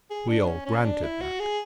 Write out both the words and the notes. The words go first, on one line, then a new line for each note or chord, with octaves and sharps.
We all granted that.
G#4
D4
C#4
C#4
D4
E4
F#4
G#4